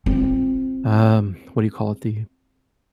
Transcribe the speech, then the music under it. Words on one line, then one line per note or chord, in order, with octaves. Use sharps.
um, what do you call it? The
C4 F4